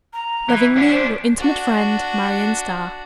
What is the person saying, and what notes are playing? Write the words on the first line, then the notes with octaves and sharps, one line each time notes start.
Lovingly, your intimate friend--Marion Starr.
A#5
E3
C#4 D4 F#5
C5
D4 F#4